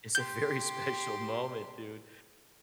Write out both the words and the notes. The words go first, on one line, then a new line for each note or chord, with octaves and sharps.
It's a very special moment, dude.
G4 C6 G6